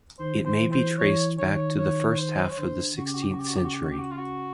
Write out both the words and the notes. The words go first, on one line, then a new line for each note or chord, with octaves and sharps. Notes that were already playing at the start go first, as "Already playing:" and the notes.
It may be traced back to the first half of the sixteenth century.
D#3 C5
C5
E3
C5
E3 C#5
D#3 C#5
C#5
C#5
C#5
C5
C#5
D3 C5
C#3 F#4
G4
F#4
G4
F#4
G4
F#4
G4
F#4
G4
F#4
G4
F#4
F4
F#4